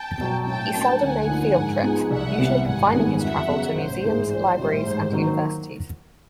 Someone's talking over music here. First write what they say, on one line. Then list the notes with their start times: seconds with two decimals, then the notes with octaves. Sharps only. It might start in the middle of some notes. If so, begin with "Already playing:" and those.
He seldom made field trips, usually confining his travel to museums, libraries and universities.
Already playing: G5 A5
0.18 B2 F#3
0.46 A2 G5 A5
0.72 F#3 A#3 D4
1.00 D2 F#5 G#5
1.28 D3 F3 A#3 D#4
1.55 G#2
1.82 F3 G#3 B3 D#4
2.10 C2 E5 F#5
2.38 C3 E3 G3 B3
2.65 G#1 F#5 G#5
2.92 G#2 D#3 G3 B3
3.20 F2 E5 F#5
3.47 C#3 F#3 B3
3.74 A1 C5
4.03 G#2 E3 G#3
4.30 A#1 C5
4.58 A2 E3 G3
4.85 G#2
5.12 D#3 F#3 A#3